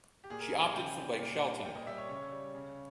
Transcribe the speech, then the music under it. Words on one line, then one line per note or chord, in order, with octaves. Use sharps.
She opted for Blake Shelton.
G4
A#2 G#4
A#4
G3 G#5
G#5
C#3 G5
G3
A#2
G3
A#2 G5
D#5
G3 E5
C#5
C#3 C#5
G3
C#3